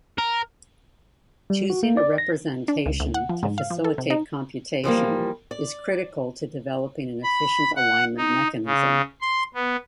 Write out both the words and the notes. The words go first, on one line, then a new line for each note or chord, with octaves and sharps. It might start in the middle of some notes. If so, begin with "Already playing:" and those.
Choosing a representation to facilitate computation is critical to developing an efficient alignment mechanism.
A#4
G3
F#4
A#3
D5
A#6
D4
C#2
D2
F#5
F3
G#2
F5
F3
A4
C3
D#4
E3 F3 G3 A#3
D5
B5
F#5
D#4
C#3
C6
B3